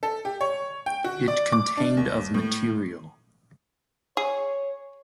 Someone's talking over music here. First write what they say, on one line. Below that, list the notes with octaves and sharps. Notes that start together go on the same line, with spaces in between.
It contained of material.
A4
G4
C#5
G5
F#4
D5
D6
D4
D#2
A2
G#4 C#5